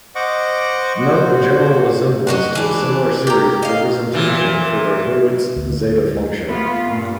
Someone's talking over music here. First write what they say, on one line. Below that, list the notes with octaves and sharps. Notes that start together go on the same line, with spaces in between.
Note a general resemblance to a similar series representation for the Hurwitz zeta function.
C5 D#5 F#5 C#6 D6
F#4 C5
F#4 D#5 F#5
E3 D4
G4 A#5
D#5 F5
A#2 E3
D2
A3 B3 F4
G2 A#2